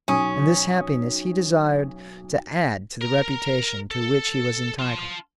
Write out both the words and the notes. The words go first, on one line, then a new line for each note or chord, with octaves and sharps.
And this happiness he desired to add to the reputation to which he was entitled.
B1 C#4 G#5 D#6
A#4 A#5
A4
F4 A5